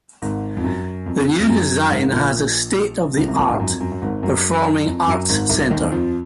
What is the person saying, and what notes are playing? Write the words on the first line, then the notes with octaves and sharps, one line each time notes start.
The new design has a state-of-the-art performing arts center.
G#1 G#2
F2
F#2
F2
F2
F#2
G#1 G#2
A#1 A#2
C#2 C#3
C2 C3
A#1 A#2
G#1 G#2
F#2
F2
F#2
F#2
G#1 G#2
F#2
F2
F#2
G#1 G#2
C2 C3
D#2 D#3
F2 F3